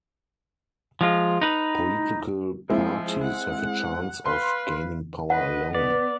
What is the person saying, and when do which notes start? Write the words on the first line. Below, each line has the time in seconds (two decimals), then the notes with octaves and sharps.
Political parties have a chance of gaining power alone.
1.01 F3 G#3 F4
1.41 D#4 B4
2.70 F3 G#3 C4 E4
3.23 F#5
4.26 B4 F5 C6
5.30 B4 D#5 F#5
5.75 B3 B4 D5